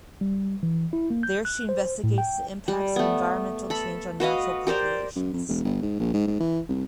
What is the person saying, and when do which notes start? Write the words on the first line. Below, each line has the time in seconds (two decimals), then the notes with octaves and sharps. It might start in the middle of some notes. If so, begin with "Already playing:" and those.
There she investigates the impacts of environmental change on natural populations.
0.21 G3
0.63 E3
0.93 E4
1.10 A#3
1.23 G6
1.45 F#6
1.69 C5
2.04 A2
2.18 G5
2.68 G3
2.96 A3 B3
3.70 A4 B5
4.20 F#4 B4 D#5 F5
4.67 G4 A#4 C5 D5
5.16 F#2
5.33 F2
5.48 E1
5.64 G1
5.82 G#2
5.99 A#1
6.14 G#2
6.27 G#2
6.40 E3
6.69 C2